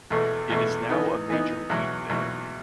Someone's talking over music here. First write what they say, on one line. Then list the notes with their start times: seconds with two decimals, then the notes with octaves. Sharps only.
It is now a major weed there.
0.10 E2 B2 A3
0.50 E2 B2 A3
0.89 E3 B3 D#4
1.30 E3 B3 D#4
1.69 E2 B2 F#3
2.09 E2 B2 F#3